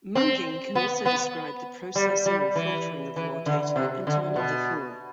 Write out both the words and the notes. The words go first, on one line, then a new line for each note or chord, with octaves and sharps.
Munging can also describe the processing or filtering of raw data into another form.
C4
B3
B3
G3
G3
E3
E3
D3
C3
D3
B2